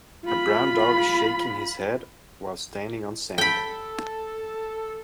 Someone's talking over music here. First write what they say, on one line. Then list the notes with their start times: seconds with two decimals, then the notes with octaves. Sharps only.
A brown dog is shaking his head while standing on sand.
0.25 F4 B5
3.38 A4 G5 B5